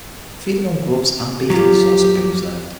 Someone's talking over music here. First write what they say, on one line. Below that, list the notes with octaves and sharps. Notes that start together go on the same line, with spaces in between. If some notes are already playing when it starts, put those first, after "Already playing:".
Feeding on grubs and beetles has also been observed.
F#3 F4 G4